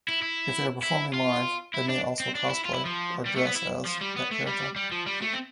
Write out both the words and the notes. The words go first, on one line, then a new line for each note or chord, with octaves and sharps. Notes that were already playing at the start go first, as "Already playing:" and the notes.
If they are performing live, they may also cosplay, or dress as, that character.
E4
E4
E4
F4
E4
D4
C4
D4
E4
F4
E4
F3
G3
A3
B3
E4
F3
G3
B3
A3
G3
G3
F3
G3
A3
C4